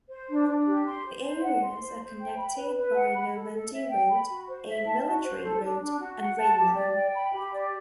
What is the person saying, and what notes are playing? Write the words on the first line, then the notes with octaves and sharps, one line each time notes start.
The areas are connected by Normandy Road, a military road and rail line.
C5
D4
D4
G4
C6
C5
C5
F#5
C6
C5
C5
G5
B5
B4
B4
F#5
B5
A4
A4
E5
G5
B5
F#4
C5
E5
A5
F#4
C5
A4
D4
D4
F#4
F#5
A5
G4
D5
G5
B5
G4
D5